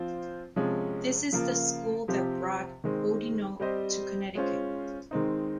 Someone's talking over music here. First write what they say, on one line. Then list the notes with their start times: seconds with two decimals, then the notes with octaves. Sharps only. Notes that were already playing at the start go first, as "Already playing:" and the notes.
This is the school that brought Boudinot to Connecticut.
Already playing: F3 C4 F4 C5
0.56 C3 F3 G#3 C#4
1.32 C#3 F3 A#3 F4 A#4
2.08 C3 F3 C4 G4 C5
2.84 D#3 G#3 C4
3.60 G3 C4 G4 C5 D#5
4.35 G#3 C#4 F4 C5
5.11 D#3 G#3 C4 D#4